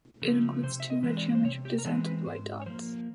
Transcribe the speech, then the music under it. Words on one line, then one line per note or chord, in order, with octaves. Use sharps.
It includes two red geometric designs with white dots.
C#3 F3 A3
C3 C5
E5
D#5
E3 G#3 C4
D5
C5
C3 C#5
G4
A#4
E3 G#3 C4 A4
B4
G#2 C5
C#5
F3 A#3 C5